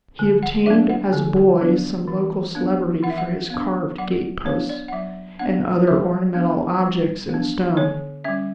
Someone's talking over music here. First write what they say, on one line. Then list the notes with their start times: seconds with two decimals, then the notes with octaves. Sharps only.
He obtained, as a boy, some local celebrity for his carved gate posts, and other ornamental objects in stone.
0.19 D3
0.43 F#5
0.66 F#3 B3 D4 E5
0.89 F#5
1.13 D3
1.61 F#3 B3 D4
2.08 E3
2.55 B3 D4
3.03 E3 F#5
3.10 E5
3.18 F#5
3.50 B3 D4
3.98 F#3 F#5
4.45 B3 D4 C#5
4.69 D5
4.88 F#5
4.93 F#3 E5
5.39 B3 D4 F#5
5.87 G3 E5
6.34 B3 D4
6.82 G3
7.29 B3 D4
7.77 D3 C#5
8.24 G3 C#4 E5